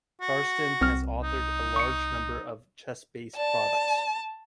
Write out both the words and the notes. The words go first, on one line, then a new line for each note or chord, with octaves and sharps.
Karsten has authored a large number of ChessBase products.
F#4
C2 C4 F6
D#4
C#6 C#7
D5 A5